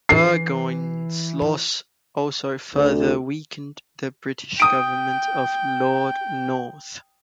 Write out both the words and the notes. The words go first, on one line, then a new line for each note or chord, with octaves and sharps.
Burgoyne's loss also further weakened the British government of Lord North.
E3 C7
D2
G5 D#6 D7